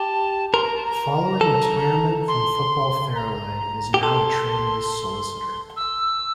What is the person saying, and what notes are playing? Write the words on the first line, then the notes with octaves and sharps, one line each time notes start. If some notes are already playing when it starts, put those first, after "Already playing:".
Following retirement from football Farrelly is now a trainee solicitor.
Already playing: G4 A5
A#4 C6
A#5
A5
A#5
A4
C6
A#5
G4
A4 C6
E6